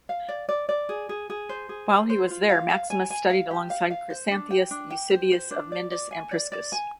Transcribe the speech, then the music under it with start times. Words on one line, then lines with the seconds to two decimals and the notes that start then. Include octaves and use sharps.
While he was there, Maximus studied alongside Chrysanthius, Eusebius of Myndus, and Priscus.
0.09 F5
0.28 D5
0.49 D5
0.69 D5
0.89 G#4
1.09 G#4
1.30 G#4
1.49 C5
1.69 G#4
1.89 C5
2.10 C5
2.30 F4
2.49 F5
2.70 F5
2.90 G#5
3.10 G#5
3.30 F5
3.51 G4
3.70 F5
3.90 F5
4.10 C5
4.31 D4
4.51 G5
4.71 D4
4.90 G5
5.11 C5
5.32 C5
5.51 D4
5.72 D5
5.91 D5
6.11 G#5
6.31 D5
6.52 D5
6.72 G#5